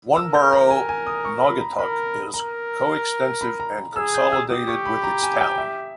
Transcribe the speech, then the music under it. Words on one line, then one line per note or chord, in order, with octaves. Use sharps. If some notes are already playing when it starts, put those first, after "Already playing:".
One borough, Naugatuck, is coextensive and consolidated with its town.
A#4 E6
G6
A#5
G#5
G#5
D#6
C#6
B5
A#5
A#4 B5
A#4 A#5
B5
A#5
G#4 E6
G6
E6
G4 D#6
C#6
B5
A#5
G#5
G5
E5